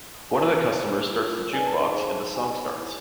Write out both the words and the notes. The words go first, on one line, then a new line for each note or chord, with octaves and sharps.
One of the customers starts the Jukebox and the song starts.
F#4 A4 D5 G#5
G4 C5
F4 A#4 C#5
D#4 G#4 B4 D5 G#5
A5
D#4 G#4 C5
D#4 G4 B4 D5 G#5
E4 G4 B4